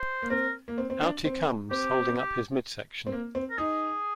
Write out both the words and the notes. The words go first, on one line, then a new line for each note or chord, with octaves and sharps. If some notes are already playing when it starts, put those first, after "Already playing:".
Out he comes, holding up his midsection.
Already playing: C5
A#3
C4 A#4
A#3
C4
C4
D4
C4
C4 G4
G4
C4
A#3
C4
A#4
D#4 G#4